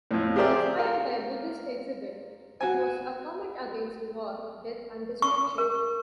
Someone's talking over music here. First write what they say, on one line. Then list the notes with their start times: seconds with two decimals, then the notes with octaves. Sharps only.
Inspired by a Buddhist exhibit, it was a comment against war, death and destruction.
0.11 F2 A2
0.36 G4 G#4 A#4 C5 D5 E5
0.78 F4 A#4
2.61 F#4 G#5
5.22 C#6
5.58 A#4